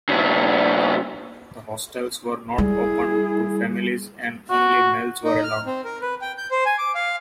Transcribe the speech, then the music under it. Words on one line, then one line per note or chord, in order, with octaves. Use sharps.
The hostels were not open to families and only males were allowed.
G2 C#3
G3 E4 G#4
F#4
D#4
F6
C4
A#4
B4
G5
G6
C5
G#5
D6
F5